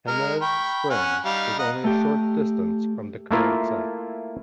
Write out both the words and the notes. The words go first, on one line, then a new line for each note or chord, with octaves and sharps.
Jemez Springs was only a short distance from the current site.
G#3 A#4 F6
G5 B5 C#6
C#4 F#5
G3 D#4 F5
D#5 F#5 A#5
A3 G4
A3 A#3 E4 F4